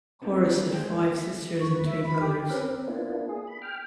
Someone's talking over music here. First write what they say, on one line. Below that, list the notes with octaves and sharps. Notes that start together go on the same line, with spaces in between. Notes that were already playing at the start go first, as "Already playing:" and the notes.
Horace had five sisters and three brothers.
B3 C4 D4 D#4
D4 E4 G4
G#3 A#3 C5 G5
E5
C#6
B4
E5
B5
G4
C4 C#4 A#4 B4
C4
A#3 B3 D4 E4 F4
G#4
B5
G5 F6